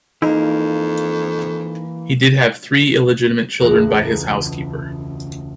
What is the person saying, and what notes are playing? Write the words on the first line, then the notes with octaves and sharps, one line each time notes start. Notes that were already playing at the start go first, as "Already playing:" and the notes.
He did have three illegitimate children by his housekeeper.
F2 E3 A#3 D#4
E1 C#2 C#3 A3 A#5 F#6